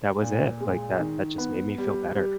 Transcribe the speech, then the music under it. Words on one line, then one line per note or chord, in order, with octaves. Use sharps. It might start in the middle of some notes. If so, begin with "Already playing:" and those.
that was it, like, that that just made me feel better.
A#2
G#3
D#3
B3
G3
G3